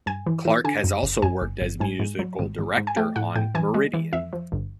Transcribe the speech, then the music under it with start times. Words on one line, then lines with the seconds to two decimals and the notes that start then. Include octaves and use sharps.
Clarke has also worked as Musical Director on "Meridan".
0.06 G2 G#5
0.26 E3
0.45 E3
0.64 D3 G#5
0.84 F#2
1.03 G1
1.22 F#2 G#5
1.42 G1
1.62 G1
1.80 G#2 G#5
2.00 G#2
2.19 F#3
2.39 G#1
2.59 G#1
2.77 G#2
2.87 G#5
2.97 A3 G5
3.16 A2 F#5
3.36 A2 G5
3.55 E3 G#5
3.74 G#3
3.94 E3
4.13 F2 E5
4.33 F3
4.52 G1